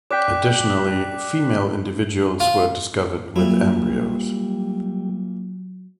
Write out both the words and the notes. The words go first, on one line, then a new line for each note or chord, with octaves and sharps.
Additionally, female individuals were discovered with embryos.
D5 G5 D6 F#6 B6
F4
A#2 F#3 G3 E4